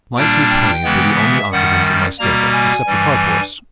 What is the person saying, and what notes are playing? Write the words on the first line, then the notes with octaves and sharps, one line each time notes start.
My two ponies were the only occupants of my stable except a cart-horse.
A#2 G3 A#3 D4 G5
G5
C#3 E3 G#3 B3
E5
F#2 D#3 G3 F#5
B2 G3 A#3 A#5
G#5
G2 E3 G3